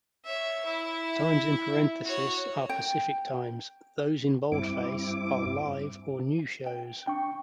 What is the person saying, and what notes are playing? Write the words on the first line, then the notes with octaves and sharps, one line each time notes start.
Times in parenthesis are Pacific times; those in boldface are live or new shows.
C#5 E5
E4 E5
F#4 C#5
G5
G2 C4 E4 D6
G5
D4 G5 C#6